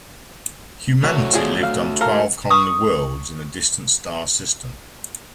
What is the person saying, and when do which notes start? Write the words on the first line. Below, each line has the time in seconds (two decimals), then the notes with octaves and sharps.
Humanity lived on twelve colony worlds in a distant star system.
1.03 A3 F#4 C#5
1.33 F3 G#4 D5
1.63 F5
2.01 A4 A#4 F5
2.50 C#6 D#6